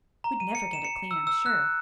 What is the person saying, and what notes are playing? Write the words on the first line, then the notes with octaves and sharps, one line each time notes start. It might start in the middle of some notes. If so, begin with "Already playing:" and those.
"We'd never get it clean, I'm sure."
A#5
D#7
C#7
E7
C#7
E6
E6
F#6